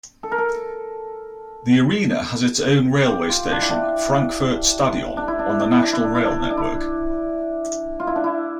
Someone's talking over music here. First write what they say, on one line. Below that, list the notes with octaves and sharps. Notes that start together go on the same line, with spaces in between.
The arena has its own railway station, Frankfurt Stadion, on the national rail network.
A4
A#4
A4
G4
F4
D4
E4
D4
D4
E4
D4
E4
D4
E4
D4
E4
D4
E4
D4
D4
E4
F4
E4
D4
E4